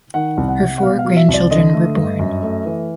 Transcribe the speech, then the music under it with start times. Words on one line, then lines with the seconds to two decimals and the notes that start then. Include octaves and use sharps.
Her four grandchildren were born.
0.14 D#3 F#5
0.37 C2
0.48 F#5
0.60 C3
0.78 F#5
0.82 B2 F5
0.99 F5
1.05 F#3
1.17 E5
1.28 C2
1.34 D5
1.51 D3 D#5
1.73 A3
1.97 G2
2.19 F#2
2.43 A3
2.66 E3